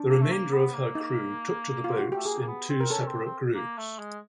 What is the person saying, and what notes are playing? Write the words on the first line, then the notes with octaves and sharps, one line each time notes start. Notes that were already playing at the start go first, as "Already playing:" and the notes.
The remainder of her crew took to the boats in two separate groups.
Already playing: D4
A#3
A3
A#3
B3
A#3
D#4
F4
F#4
A3 G4
A#3 G#4
A#3
B3
C4
A#4
C#4 A4
C4
C4
A#3
A3
G#3